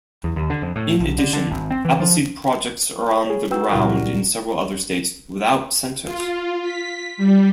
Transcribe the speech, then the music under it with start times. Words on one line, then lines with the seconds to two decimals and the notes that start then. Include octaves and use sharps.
In addition, Appleseed projects are on the ground in several other states without Centers.
0.24 E2
0.36 D#2
0.50 D3
0.62 F2
0.76 A2
1.00 B1
1.18 D3
1.33 D3
1.51 G#1
1.71 C4
1.85 E3
2.00 F3
3.27 G#4 C#5
3.51 F#4 B4 G5 E6
3.71 C#2 A#2 G3 E4 A#4 F#5
6.04 F4
6.62 B6
7.17 G3